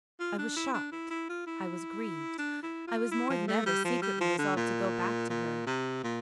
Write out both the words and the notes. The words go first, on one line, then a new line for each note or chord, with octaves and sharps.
I was shocked; I was grieved; I was more than ever secretly resolved to go back to her.
F4
D4
E4
D4
E4
E4
F4
E4
D4
E4
F4
E4
F3
A3
G3
F3
G3
F3
D3
A#2
A#2
C3
A#2